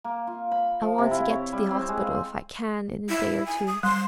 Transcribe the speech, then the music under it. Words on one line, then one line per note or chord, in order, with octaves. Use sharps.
I want to get to the Orspital, if I can, in a day or two.'
A#3
F4
B5
F3
C3
E4
C#5
G3
C4
G#3
F5
E4
G#5
D#6
G3 C6